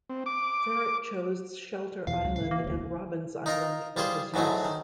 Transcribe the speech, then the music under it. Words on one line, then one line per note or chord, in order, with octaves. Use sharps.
Farret chose Shelter Island and Robins Island for his use.
C4
D6
E2 B2 E3 F5
C#2
A2 C#3 F5
E3 A#3
E1 D2
D#4 F4 A#4
G3 F4 G#4 C5 C6
G#2 E3 F#3 G#3 A3
D#3